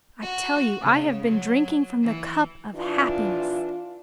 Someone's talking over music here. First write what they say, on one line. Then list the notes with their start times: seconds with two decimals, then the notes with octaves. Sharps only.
I tell you I have been drinking from the cup of happiness.
0.22 F#4
0.81 C#3
1.26 F#3
2.03 E3
2.75 E3 D4 F4